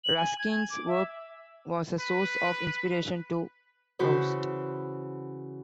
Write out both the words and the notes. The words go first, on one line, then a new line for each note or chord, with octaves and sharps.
Ruskin's work was a source of inspiration to Proust.
F#7
G#5
G#6
G#6
D6
E5
B4
C#3 E3 F#4 B4 C5